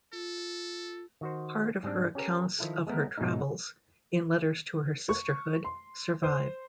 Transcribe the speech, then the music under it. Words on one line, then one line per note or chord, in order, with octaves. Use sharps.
Part of her accounts of her travels, in letters to her sisterhood, survive.
F4 A4
D#3 F#4 C5
G#2 G3 C4 D4
C#4 G4 A4 A#4
D#3 F3 E4 A4
G#3 A3 B3 A#4
G#2 B2 F#3 G#3 A3 D#4
C#6
C6
C5